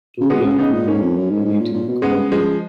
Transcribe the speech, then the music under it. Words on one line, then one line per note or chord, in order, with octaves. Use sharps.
Two young women knitting clothing.
C#3
B2 G#3 B3
C#3
C#3 B3 D#4
A#2
G#2 A#3 C#4
F2
F#2
G#2
G#2
A#2
A#2
B2
C#3 G#3 B3
F3 G#3